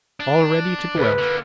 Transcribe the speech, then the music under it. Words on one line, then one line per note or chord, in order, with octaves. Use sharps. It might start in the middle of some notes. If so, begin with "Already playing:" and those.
"All ready to go out."
D4
D2 B4
D3 A#3